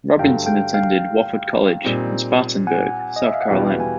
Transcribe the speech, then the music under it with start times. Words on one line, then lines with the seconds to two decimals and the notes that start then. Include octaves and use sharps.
Robinson attended Wofford College in Spartanburg, South Carolina.
0.19 G2 D3 F#3 A3 F5 G5
0.46 F5 G5
0.74 F5 G5
1.84 A#2 G3 C4 D#4
2.67 F#5 G#5
3.16 D#5
3.24 E5
3.34 F5
3.42 F#5
3.50 E2 B2 G3 B3 E4 F5 G5
3.80 G#5